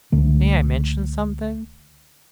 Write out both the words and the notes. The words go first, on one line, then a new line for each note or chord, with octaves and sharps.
May I mention something?'
C#2 D3 A3